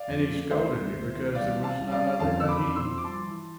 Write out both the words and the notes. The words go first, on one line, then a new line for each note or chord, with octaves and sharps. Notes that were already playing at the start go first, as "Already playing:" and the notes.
And he scolded me because there was none other but he.
Already playing: D5 F5
F2
A3
D2 C5 E5
C3
D2
E3
C2 D5 F5
C3
F5 A5
C2
D5 F5
G3
F2 F5 A5
D3 E6
B5 D6
F2
C6 E6
F3
D6
G2 A5 C6
E3